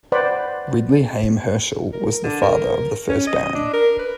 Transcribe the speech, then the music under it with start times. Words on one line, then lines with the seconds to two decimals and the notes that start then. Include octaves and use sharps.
Ridley Haim Herschell was the father of the first Baron.
0.12 B4 C5 D5 F#5 B5
1.93 A#4
2.24 D3
2.42 A#4
3.09 C#4
3.27 D#5
3.55 D4
3.73 A#4
3.99 B4